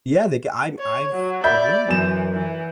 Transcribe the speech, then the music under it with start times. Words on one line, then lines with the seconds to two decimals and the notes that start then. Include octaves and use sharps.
Yeah, the g I'm I've Yeah.
0.79 C#5
1.12 F#3
1.44 D5 E5 B5 G6
1.89 F#2 E3 E7
2.34 E3